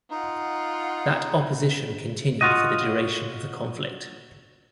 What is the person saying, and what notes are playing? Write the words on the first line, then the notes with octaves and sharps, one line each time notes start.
That opposition continued for the duration of the conflict.
D#4 F4 F#5
F4 F#4 D#5